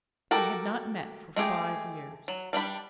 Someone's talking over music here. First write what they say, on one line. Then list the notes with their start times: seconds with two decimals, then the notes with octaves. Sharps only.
They had not met for five years.
0.31 F#4 G4 A4 A#4
1.36 G#3 A3 G4 G#4
2.28 F#3
2.53 G3 D4 G4 B5